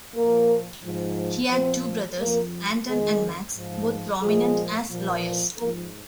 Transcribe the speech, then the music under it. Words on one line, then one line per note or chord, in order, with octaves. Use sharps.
He had two brothers, Anton and Max, both prominent as lawyers.
A#2 F3 A#3 A#4
G#2 F3
A#2 F3 C4 C5
F2 F3 A#3 A#4
F2 D#3 G#3 G#4
G#2 F3
A#2 F3 G#3 G#4
A#2 F3
G#2 F3 A#3 A#4